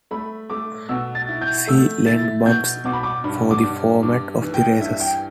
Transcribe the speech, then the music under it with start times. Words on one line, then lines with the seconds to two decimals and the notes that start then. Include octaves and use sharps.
See Lent Bumps for the format of the races.
0.11 A3 B5
0.50 A3 D6
0.89 B2 E6
1.15 A6
1.29 E4
1.41 G6
1.67 A3 E6
2.06 E4 A6
2.45 B2 G6
2.85 B2 D6
2.93 B5
3.03 D6
3.24 G2 B5
3.51 D6
3.63 G2
4.03 G2 D6
4.42 E3
4.54 G5
4.81 G2 E5
5.01 G5